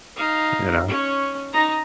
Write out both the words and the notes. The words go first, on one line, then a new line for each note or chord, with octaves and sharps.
you know?
D#4 F5
C#4 C#5
D#4 A#5